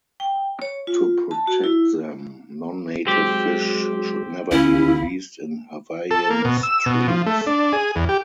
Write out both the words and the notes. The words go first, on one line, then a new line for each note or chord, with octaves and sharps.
To protect them, non-native fish should never be released in Hawaiian streams.
G5
C#5
F4
A5
F#4
E4
F#3 G#3 C4 G4
D2 C#4 E4 F4 B5
A4
A#3
B2
E6
B2
F3
A3
D4
G#4
E2
G4